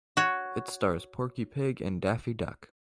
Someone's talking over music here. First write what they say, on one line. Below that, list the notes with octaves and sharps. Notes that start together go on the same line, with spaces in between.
It stars Porky Pig and Daffy Duck.
F#4 C#5